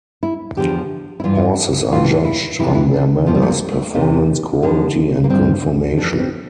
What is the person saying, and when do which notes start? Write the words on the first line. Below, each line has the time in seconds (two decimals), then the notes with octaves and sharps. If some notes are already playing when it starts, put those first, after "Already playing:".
Horses are judged on their manners, performance, quality and conformation.
0.23 E4
0.57 E2 D3 F3 G4
1.20 E4
1.24 G2 E3 F4
1.92 A2 E3 F4
2.25 E4
2.59 F2 C3 E3 E4
2.68 F4
2.75 E4
2.93 D4
3.27 E2 C3 F3 A#3
3.35 G3
3.42 A3
3.49 A#3
3.72 A3
3.94 D2 C3 E3 A3
4.62 E2 D3 F3
5.24 A#3
5.30 G2 F3 C4
5.97 F2 E3 D4
6.20 C4